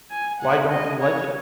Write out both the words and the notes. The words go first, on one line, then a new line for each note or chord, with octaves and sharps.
Why don’t you like it?
G#5
F#5
D#5
C#5